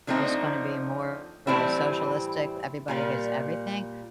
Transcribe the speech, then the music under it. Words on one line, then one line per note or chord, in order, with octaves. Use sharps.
it's gonna be more of a socialistic everybody gets everything?
D3 F3 A3 C4 D#4
A2 E3 G3 C4 E4
A#2 G3 A#3